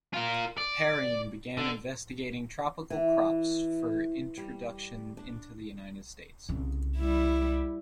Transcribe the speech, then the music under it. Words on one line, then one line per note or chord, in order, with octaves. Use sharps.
Perrine began investigating tropical crops for introduction into the United States.
F4 A#4
D5
D3
E3
G3
D4
C2 C#3
G3 E4